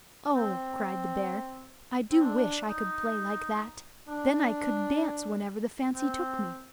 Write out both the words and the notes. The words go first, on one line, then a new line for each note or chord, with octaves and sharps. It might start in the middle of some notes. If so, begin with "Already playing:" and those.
'Oh,' cried the bear, 'I do wish I could play like that, then I could dance whenever the fancy took me.
C4
C4
D4
D#4
D4
C4